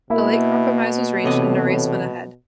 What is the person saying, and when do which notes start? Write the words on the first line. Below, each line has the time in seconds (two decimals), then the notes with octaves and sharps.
A late compromise was reached and the race went ahead.
0.10 B2 A#3 E4
1.24 E2 A2 C3 D#5